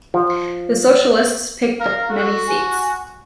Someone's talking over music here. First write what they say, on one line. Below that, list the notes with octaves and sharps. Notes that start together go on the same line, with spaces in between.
The Socialists picked up many seats.
F3
A#4 F5
F#4 A4
G#5